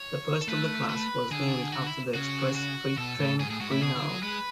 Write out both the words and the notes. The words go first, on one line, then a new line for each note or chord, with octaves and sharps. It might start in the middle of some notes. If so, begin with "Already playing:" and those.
The first of the class was named after the express freight train "Green Arrow".
Already playing: C#5
A4
A3 B4
B4
D3 G#4
F#4
E4
C#3 F#4
F#4
B2 A4
A2
G#2 G#4
A2 G#4
G#2 F#4
A2 E4
B2 G#4
D3
F#3
G#3 B4